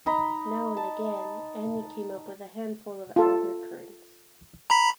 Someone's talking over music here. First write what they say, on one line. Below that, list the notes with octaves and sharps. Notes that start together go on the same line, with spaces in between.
Now and again, Annie came up with a handful of alder-currants.
D#4 A#5 B5
A5
F4 A4
A#5 B5 B6